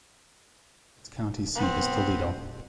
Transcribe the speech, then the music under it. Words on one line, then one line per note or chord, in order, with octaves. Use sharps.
Its county seat is Toledo.
B3 C4